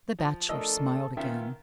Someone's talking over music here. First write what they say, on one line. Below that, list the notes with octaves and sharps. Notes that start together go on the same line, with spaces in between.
The Bachelor smiled again.
F3
A3 D4 A4 A#4 D#5 E6
D#3 B3 C#4 F4 A#4 E5